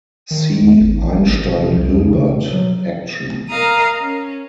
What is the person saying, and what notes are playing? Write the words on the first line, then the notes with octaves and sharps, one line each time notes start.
See Einstein-Hilbert action.
D#3
E2
G#1
A#1
G#1
B2
C3
C2
F2
C#3
B2
F#3
A#4 D#5 F5 A#5 D#6
C#4